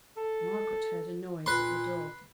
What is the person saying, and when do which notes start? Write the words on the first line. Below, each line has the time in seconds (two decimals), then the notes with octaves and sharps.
Margaret heard a noise at the door.
0.17 A4
1.46 A#2 B4 C6